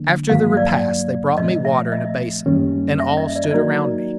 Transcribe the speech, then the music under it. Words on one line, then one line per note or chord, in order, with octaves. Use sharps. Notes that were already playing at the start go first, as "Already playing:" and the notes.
After the repast they brought me water in a basin, and all stood around me.
Already playing: D3 F#3 A#3 D4
G2 D#3 F#3 A#3 F5
D5
A#2 F3 A3 C4 D#5
E5
D#5
F#2 D#3 G3 A#3 C#4
E5
D#5
D5
D#5
F#3 A#3 D#4 F#4 A#4 D5